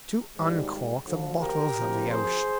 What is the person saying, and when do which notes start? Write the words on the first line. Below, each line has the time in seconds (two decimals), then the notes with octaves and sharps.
"To uncork the bottles of the ocean."
0.35 G#1 G#2 G3
1.05 D2 D3 F3
1.40 G4 A#4
1.75 D2 C3 F3
2.10 G#4 C5